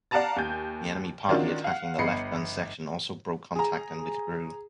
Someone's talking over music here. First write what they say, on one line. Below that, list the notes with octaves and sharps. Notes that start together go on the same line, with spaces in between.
The enemy party attacking the left gun section also broke contact and withdrew.
D5 F5 F#5 A5 A#5 A6
D#2 G#5 G6
D#3 C#4 D4 F4 F#4 A#4
F5 F#5
G1 D#5 B5 C7 C#7
G#4 A#5